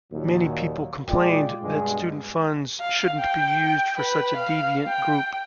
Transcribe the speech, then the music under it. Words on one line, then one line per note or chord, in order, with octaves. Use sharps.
Many people complained that student funds shouldn't be used for such a "deviant" group.
D#2 A#2 F#3
A#2 G#3 F4 D5 G5
G2 B2 G#3
F5
G5
B4
F5
G5